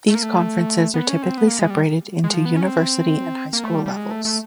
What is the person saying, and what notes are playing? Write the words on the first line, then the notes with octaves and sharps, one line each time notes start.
These conferences are typically separated into university and high school levels.
A3
A#3
A3
B3
C#4
C4
B3
A#3
G#3
G3
G#3
F3
B3
C#4
C4
A#3
A3
G3
G3
G#3
A3
A3